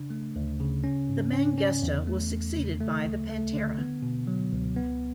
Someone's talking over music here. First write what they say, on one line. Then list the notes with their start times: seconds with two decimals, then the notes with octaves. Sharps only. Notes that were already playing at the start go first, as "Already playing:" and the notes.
The Mangusta was succeeded by the Pantera.
Already playing: C#3 D4
0.10 A3
0.36 D2
0.60 C#3
0.84 C#4
1.09 G#2
1.33 C#4
1.58 C#4
1.82 E2
2.07 A3
2.32 E2
2.57 C#3
2.80 A3
3.05 D2
3.29 A3
3.54 D3
3.78 B3
4.02 B2
4.27 F#3
4.53 C#2
4.76 B3